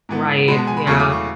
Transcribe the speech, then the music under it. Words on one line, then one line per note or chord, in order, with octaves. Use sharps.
Right, yeah.
G#2 E3 B3
B2 G#3 B3 B5
A5
G#5
B5
E2 C#3 F#3 A3 C#6
D6
C#6